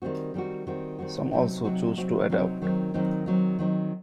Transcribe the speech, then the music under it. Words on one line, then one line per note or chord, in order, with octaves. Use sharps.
Some also choose to adopt.
D#3 G3 C4 F#4
D#3 G3 C4 F#4
D#3 G3 C4 F#4
D#3 G3 C4 F#4
C3 F#3 C4 D#4 F#4
C3 F#3 C4 D#4 F#4
C3 F#3 C4 D#4 F#4
C3 F#3 C4 D#4 F#4
D#3 F#3 C4 D#4
D#3 F#3 C4 D#4
D#3 F#3 C4 D#4
D#3 F#3 C4 D#4